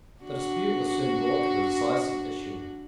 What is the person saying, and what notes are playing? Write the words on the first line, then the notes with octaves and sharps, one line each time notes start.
The dispute was soon brought to a decisive issue.
D4 F#4